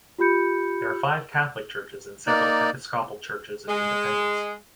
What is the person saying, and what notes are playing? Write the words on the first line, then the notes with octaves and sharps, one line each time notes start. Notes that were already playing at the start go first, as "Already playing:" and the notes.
There are five Catholic churches and several Episcopal churches in Independence.
F4 G4 B5 G6 C#7
A#3 D#4 D5
G#3